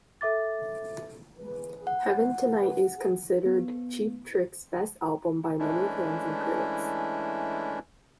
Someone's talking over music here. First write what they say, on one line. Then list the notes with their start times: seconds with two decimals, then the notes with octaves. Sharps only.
"Heaven Tonight" is considered Cheap Trick's best album by many fans and critics.
0.21 A4 E5 D6 A6
1.87 F#5
3.46 B3
5.59 E3 G#3 A3 C#4 D4 E4